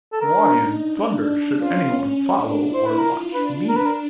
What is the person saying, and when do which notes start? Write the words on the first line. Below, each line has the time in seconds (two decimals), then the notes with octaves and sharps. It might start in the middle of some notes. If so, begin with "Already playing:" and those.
"Why in thunder should anyone follow or watch me?"
0.13 A4
0.21 D4 A#4
0.55 D#4
0.91 D4
1.60 C#4 F4
2.29 D4
2.65 E4
2.74 C5
2.86 B4
2.99 F4 A#4
3.34 D4 B4
3.69 D4 A#4
3.77 B4
3.86 A#4